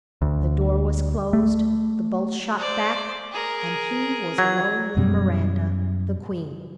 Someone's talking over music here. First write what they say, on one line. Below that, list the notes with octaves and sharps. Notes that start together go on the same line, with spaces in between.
The door was closed; the bolts shot back!--and he was alone with Miranda, the queen.
D2
A3
C5 D5
G#4 A#4
F#3 G#6
F#2 B2 G3